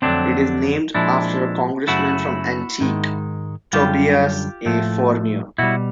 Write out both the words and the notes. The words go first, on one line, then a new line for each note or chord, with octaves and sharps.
It is named after a Congressman from Antique, Tobias A Fornier.
F2 D3 F#3 A3 C4 D4
A#2 F3 G#3 D4 E4
F#2 C#3 F#3 A3 E4 F#4
G#2 D#3 G#3
F#2 D3 G3 F4 G4
A2 F3 A3
B2 G3 E4 F#4